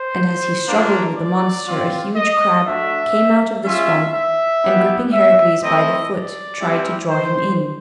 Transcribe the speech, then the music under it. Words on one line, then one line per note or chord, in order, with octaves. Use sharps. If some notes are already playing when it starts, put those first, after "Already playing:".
And as he struggled with the monster a huge crab came out of the swamp, and gripping Heracles by the foot tried to draw him in.
Already playing: C5
A#3 D4 F4
D5
C4 F4
D#5
A3 D4 F#4 E5
G#3 C#4 F4 E5
E5
B3 E4 G4
E5
A3 C4 E4 D#5
D5
G3 C4 E4 G4
C5